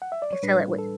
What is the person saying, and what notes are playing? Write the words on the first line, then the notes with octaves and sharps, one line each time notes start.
you fill it with
F#5
E5
D5
C#5
A2 G3 D4 B4
A4